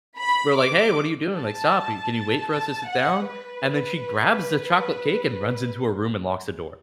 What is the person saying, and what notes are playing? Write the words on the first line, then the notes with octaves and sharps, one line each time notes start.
we're like, "Hey, what are you doing? Like, stop i can you wait for us to sit down?" And then she grabs the chocolate cake and runs into her room and locks the door.
B5
D6
A5
A5
F#5
B4